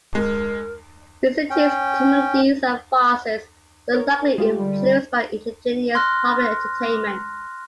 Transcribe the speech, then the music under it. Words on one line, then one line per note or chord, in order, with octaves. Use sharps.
Vicente's comedies and farces were likely influenced by indigenous popular entertainment.
G#3 A#4
C#4 G5
A#4 C#5
G#3 F4 G4
D3 G3
C6 F6 F#6 A#6